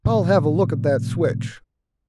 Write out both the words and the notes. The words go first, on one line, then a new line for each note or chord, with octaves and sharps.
I'll have a look at that switch.
A2 C3 F3 G3